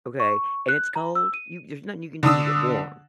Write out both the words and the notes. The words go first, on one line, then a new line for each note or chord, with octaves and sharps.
okay, and it's cold, you there's nothing you can do to get warm,
C#6
F#6
A#5
E6
D#7
D3 D4 D#6 E6